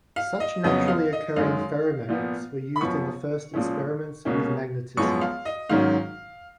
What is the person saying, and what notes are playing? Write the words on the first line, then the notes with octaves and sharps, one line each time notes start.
Such naturally occurring ferromagnets were used in the first experiments with magnetism.
F5
D#5
F2 C#3 F#3 B3 D#5
F5
D#5
F#2 D#3 G#3 F5
A#2 F3 B3
B5
F#2 F3 B3 C#6
A#2 F3 G#3 C#4
C#2 B2 A#3 C#4
F#2 F3 G#3 B3 C#6
F5
D#5
G#2 D#3 F#3 C#4 F5